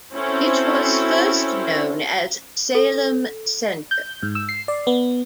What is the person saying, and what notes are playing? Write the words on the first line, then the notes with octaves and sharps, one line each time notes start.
It was first known as Salem Center.
C4 C#4 E4 F#4 A4 C5
A4
G6
G#2
E6
C7
D5
B3